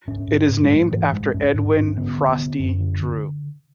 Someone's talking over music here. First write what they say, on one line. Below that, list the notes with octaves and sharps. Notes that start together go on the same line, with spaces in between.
It is named after Edwin "Frosty" Drew.
G#2 C#4
G#2
G#2
G#3
G#2 A3
G#2 E3
G#2 G#3
G#2 C#4
G#2
G#2
C#4
D3 B3
D3
B3
D3
F#2 C#4
D3
D3